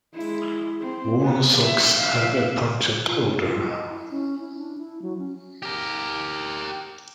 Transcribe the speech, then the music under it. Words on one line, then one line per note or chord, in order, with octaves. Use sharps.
Worn socks have a pungent odour.
G#3 E4
C4
B3
E5
E5 F5
F4
C#3
F4
D#5
E4
C#4
E4
D4
E4
F#3
C#4
G4 A#4